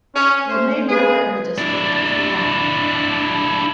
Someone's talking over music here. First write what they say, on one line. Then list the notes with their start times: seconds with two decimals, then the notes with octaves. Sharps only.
The main river in the district is the Lahn.
0.15 C#4
0.47 A3 C5
0.88 C#3 G#3 G#4 B4
1.58 D4 E4